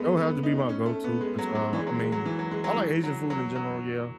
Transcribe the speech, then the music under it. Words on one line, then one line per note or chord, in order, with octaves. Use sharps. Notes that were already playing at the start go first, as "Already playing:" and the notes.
It would have to be my go-to, which, uh I mean, I like Asian food in general, yeah,
Already playing: G#3 A3 B3
B3
D#4
C#4
A3
B3
G#3
F#3
F#3
E3
G#3
F#3
G#3
F#3
E3
F#3
G#3
F#3
E3
F#3
F#3
F#3